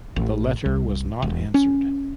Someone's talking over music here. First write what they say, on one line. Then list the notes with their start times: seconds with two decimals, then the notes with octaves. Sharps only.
The letter was not answered.
0.16 A1
0.66 C2
1.22 E1
1.54 C#4